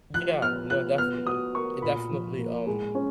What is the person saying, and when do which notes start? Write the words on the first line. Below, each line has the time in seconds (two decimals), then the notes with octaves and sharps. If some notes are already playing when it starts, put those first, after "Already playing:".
Yeah, no, definitely. It definitely, um
0.14 F3 F#6
0.42 B3 F6
0.70 F4 F#6
0.98 B3 F6
1.26 F#4 D#6
1.55 A#4 C#6
1.82 A#2 B5
2.11 F3
2.39 A#3
2.67 G#3
2.95 C#4